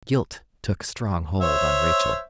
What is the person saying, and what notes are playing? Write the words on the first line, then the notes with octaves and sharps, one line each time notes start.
Guilt took strong hold on Rachel.
C5 C#5 E5